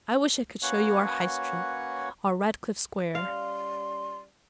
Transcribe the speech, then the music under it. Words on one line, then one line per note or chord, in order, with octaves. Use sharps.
I wish I could show you our High Street--our Radcliffe Square.
A#3 C#4 F#4 B4 C#5 F#5
G3 C#4 D5 F5 C6